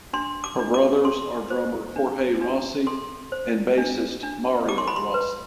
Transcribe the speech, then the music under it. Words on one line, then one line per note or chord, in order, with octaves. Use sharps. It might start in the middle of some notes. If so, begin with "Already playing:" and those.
Her brothers are drummer Jorge Rossy and bassist Mario Rossy.
D4 C6
D6
D4
D6
A4 C6
C5
D4
D4
A4 C6
C5
D4
D4
G4 D6
C6
B5
C6
B4